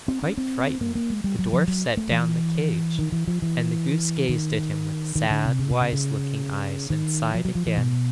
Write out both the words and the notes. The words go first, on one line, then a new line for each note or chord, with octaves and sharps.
Quite frightened, the dwarf set down the cage, and the goose gazed at him with sad wise-looking eyes and sighed again.
C4
C#4
C4
A#3
A#3
G#3
G3
F#3
F3
F#3
A3
E3
D#3
E3
F3
E3
D#3
D#3
D3
C3
C#3
B2
C#3
C#3
D#3
F3
F#3
F3
E3
B2